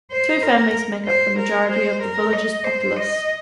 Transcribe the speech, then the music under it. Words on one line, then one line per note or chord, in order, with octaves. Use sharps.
Two families make up the majority of the villages populace.
C5
A#4
C5
A#4
C5
A#4
D#5
C5
D#5